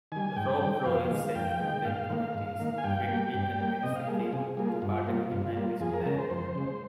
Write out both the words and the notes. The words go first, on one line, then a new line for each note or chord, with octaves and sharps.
Rob Roy's self-evident qualities quickly convince the king to pardon him and his clan.
D#3 G3 G#5
G#2 G5
D#3 G3 G5
G5
F2 F5
D#3 G#3
F2 G5
D#3 G#3
G#2 F5
D#3 A#3
G#2
D#3 A#3
G#5
G2 G5
G3 A#3
G2 G5
G3 A#3
C3 D#5
F5
G3 A#3 G#4
F4
C3 G#4
G3 A#3 G#4
F4
G2 F4
G3 A#3
G2 F4
G3 A#3
F2 G#4
A#4
C#3 G#3 A#4
C5
F2 C5
C#3 G#3